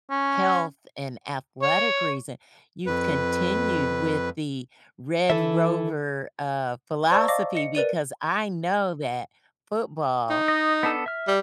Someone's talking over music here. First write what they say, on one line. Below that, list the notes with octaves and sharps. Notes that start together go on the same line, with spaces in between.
health and athletic reason, you've continued with the Red Rover, uh, philosophy because I know that football
C#4
C#5
F2 B4
E3 A4 E5
C5 D5 A5 A#5 C#6 E6
D5 D#5 F5 D6 A#6
D#5 C#7
A#4 B4 D5 D#7
D#4
D#5
B3 D4 A4
E5 F6
G3